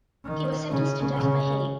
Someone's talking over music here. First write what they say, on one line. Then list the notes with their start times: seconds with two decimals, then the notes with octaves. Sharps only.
He was sentenced to death by hanging.
0.25 D#3
0.71 C#3
1.17 C#3